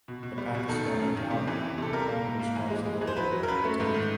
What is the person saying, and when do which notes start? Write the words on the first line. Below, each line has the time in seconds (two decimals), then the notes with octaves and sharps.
The Pakistani Taliban claimed responsibility for the attack.
0.08 B2
0.23 B2
0.38 G3
0.55 B2
0.69 D#3 A4
0.85 F#2
1.00 F#2
1.16 D#3
1.31 C3
1.47 E3
1.62 C3
1.78 C3 A4
1.93 G3 A#4
2.09 A#3
2.25 G#2
2.39 A#3
2.56 E3
2.70 G#3
2.86 G#3
3.01 E3
3.07 C5
3.17 F#3 B4
3.32 F#3
3.43 A#4
3.48 F#2 B4
3.64 A3
3.80 G#2
3.94 D#3